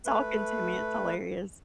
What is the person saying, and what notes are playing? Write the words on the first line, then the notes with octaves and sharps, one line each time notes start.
talking to me, it's hilarious.
A3 B4